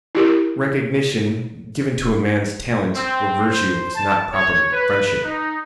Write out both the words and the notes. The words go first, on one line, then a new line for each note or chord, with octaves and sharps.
Recognition given to a man's talent or virtue is not properly friendship.
E4 G4 A#4
C4
C5
A5
C#5
B4
D#4